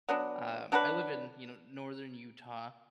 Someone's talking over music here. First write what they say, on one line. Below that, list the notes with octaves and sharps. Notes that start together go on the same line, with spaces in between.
um, I live in, you know, northern Utah,
F#3 B3 D4
F#3 D4 F#4 B4